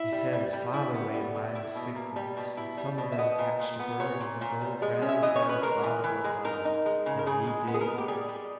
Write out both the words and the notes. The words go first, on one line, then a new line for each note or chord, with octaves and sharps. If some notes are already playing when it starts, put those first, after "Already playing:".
He said his father laid mighty sick once, and some of them catched a bird, and his old granny said his father would die, and he did.
Already playing: E4 E5
G3
G3
G3
E4
B3
G3
G3
E4
B2
A#3
G3
B2
E4
G3
B2
E5
B3 D#5
A#2
A#2
B3
A#2 C#5
A#2
A#2
G3
G#3
C#4
E5
E3 D#5
C#5
C#4
B4
G#3 A#4
E3
E3
G#3
D#4 A#4
D#4
G#3
C#3
A#4
C#3 G#4
G#3
B3
G#4
A#4
G#3
G4
G3 G#4
G3